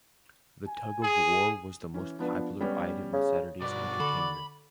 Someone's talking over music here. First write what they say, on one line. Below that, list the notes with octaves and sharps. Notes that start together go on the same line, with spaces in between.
The tug of war was the most popular item in Saturday's entertainment.
G#5
G#4
E3 C#4
F3 B3 D4
G3 B3 C#4
C#3
G2 B2 F#4 D5
D3 A4 B5